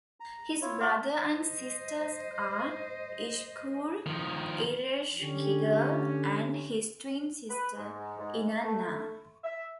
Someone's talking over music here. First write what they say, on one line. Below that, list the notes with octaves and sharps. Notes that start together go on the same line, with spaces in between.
His brother and sisters are Ishkur, Ereshkigal, and his twin sister Inanna.
A#5
E4 F4 C#5
A3 F4 A#4 F#5 D6
C5 D#5
D#3 F3
D3 C#4 G4
B4
G#2
G#2
A3
E5